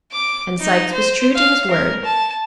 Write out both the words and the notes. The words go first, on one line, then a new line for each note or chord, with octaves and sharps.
And Sikes was true to his word.
D6
D#4
C5
F5
A#4
A5